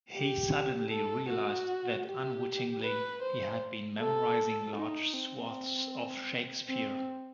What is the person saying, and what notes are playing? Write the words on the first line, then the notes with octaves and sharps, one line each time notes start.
He suddenly realized that, unwittingly, he had been memorizing large swathes of Shakespeare.
G4
A4
F#4
G4
B4
C5
A4
D#4
C4
C4